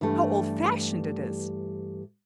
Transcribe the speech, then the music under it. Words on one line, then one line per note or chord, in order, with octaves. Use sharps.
How old-fashioned it is!
G2 E3 G3 A3